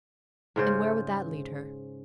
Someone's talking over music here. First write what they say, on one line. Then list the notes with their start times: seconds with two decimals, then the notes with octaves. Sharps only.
And where would that lead her?
0.56 G#2 C#3 C5